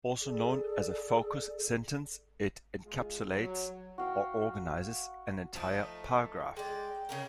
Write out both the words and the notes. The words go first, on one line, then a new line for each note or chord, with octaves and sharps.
Also known as a focus sentence, it encapsulates or organizes an entire paragraph.
G#4 A4 D5
G#3 F4 G#4
F#3
F#4 F5 G5
F3 A3 D#4
G#3 D5 G5
C#3 C#4 A#4